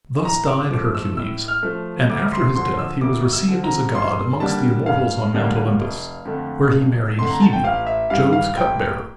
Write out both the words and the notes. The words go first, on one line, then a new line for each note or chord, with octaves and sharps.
Thus died Hercules, and after his death he was received as a god amongst the Immortals on Mount Olympus, where he married Hebe, Jove's cupbearer.
A2 A#5
D6
F3 A3 D6
E6
A2 E6
F6
F3 A3
D2 D6
C6
D3 F3 C6
E6
D2 D6
E6
D3 F3
A#5
G2 C6
D3 G3 A#3 D4 A5
G2 F5
D3 G3 A#3 D4
F1
F2 D3 A3
F1
F2 D3 A3 C6
A#5
A5
G5
A1 F5
E5
G2 E3 G3 F5
F5
A1 G5